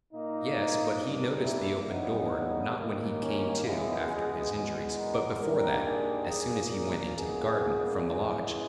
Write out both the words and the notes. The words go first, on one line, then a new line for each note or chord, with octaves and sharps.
"Yes, but he noticed the open door, not when he came to after his injuries, but before that, as soon as he went into the garden from the lodge."
A#2 A#3 D#4
G2 G3 A#3
E4
E2 C#3 G3 B3 D#4
D#2 D#3 A#3
C#4
C#2 B2 G#3 B3 E4
G#4
E2 B2 G#3
A#4
G2 D#3 G3 A#3 A#4
G#4
A#2 A#3 G#4
A#4
C#2 B2 A#3 G#4
E2 C#3 E3 G#3